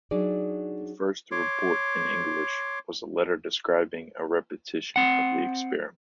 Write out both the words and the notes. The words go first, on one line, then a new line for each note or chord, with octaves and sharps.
The first report in English was a letter describing a repetition of the experiment.
F#3 D4 D#4 G#4 D5
C#5 C6 D6
C4 F#5